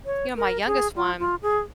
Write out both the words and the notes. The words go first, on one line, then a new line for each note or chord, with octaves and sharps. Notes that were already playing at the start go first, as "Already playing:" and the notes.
you know, my youngest one
C#5
A#4
G#4
F4
F4
G#4